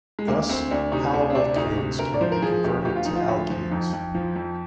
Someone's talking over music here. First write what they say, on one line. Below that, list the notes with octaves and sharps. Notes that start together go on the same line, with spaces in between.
Thus, haloalkanes can be converted to alkenes.
G#3
D2 A#3
D2 C4
D2 D4
C3 D#4
D#4
D2 D4
C4
C3 D4
D2 D#4
C3
D2 A#4
D5
F3 C5
A#4
F3 G#4
D2 G4
D2 G4
F4
F3 D#4
F4
D2
F3
F2 D#4
F2
F3
F2